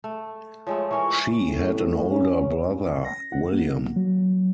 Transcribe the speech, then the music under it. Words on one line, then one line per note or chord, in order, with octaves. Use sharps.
She had an older brother, William.
A3
F3 G#3 A3 C#5
E3 C#4 A#4 C#6
A2
C#4
A#6
F#5
A#3
F#3